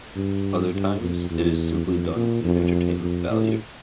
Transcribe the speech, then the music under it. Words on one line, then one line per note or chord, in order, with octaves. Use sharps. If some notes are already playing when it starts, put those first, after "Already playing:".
Other times, it is simply done for the entertainment value.
G2
G2
F2
E2
F2
A#2
F2
F2
A2